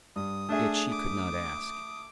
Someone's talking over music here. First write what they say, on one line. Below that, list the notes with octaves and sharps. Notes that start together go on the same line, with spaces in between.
Yet she could not ask.
G2 D#6
A3 D4 G#4 E5
D6